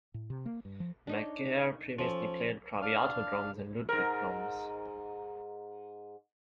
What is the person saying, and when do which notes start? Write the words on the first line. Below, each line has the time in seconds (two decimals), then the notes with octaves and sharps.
Mcgerr previously played Craviotto drums and Ludwig Drums.
0.14 A2
0.30 C3
0.46 A#3
0.65 G2
0.80 F3
1.07 D4 D#4 C#5
1.99 F3 C#4 A4
2.82 D4 F5
3.89 G#2 A#4